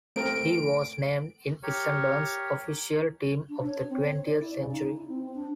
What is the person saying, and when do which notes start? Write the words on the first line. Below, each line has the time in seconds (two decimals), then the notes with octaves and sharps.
He was named in Essendon's official 'Team of the Twentieth Century'.
0.16 A3 C4 A#4 D7
1.63 G4 A#4 C#5 C#6
3.49 D4
3.67 C#5
3.90 C4
4.04 C#5
4.25 D5
4.41 E4
4.56 C#3
4.71 D#4
4.97 E4
5.08 C4
5.35 D4